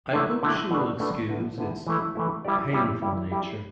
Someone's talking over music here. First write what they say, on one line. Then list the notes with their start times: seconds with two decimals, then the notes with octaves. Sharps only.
I hope she will excuse its painful nature.
0.13 D3 A3 E4
0.43 D3 A3 E4
0.71 B2 A3 D4 B4 D5
1.00 B2 A3 D4 B4 D5
1.29 D3 B3 E4
1.58 D3 B3 E4
1.87 E3 A3 E4
2.15 E3 A3 E4
2.45 G3 E4 G4 D5
2.73 G3 E4 G4 D5
3.02 G3 E4 G4
3.31 G3 E4 G4